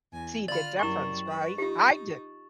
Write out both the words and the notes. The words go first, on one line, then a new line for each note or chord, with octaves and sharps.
see the difference, right? I didn't.
E2 G#5
D3 F4 D5 B5 F6 A6 F#7
F#2 G3 A#3 E4 G5 C#6 E7
B4
D#4 F4 G4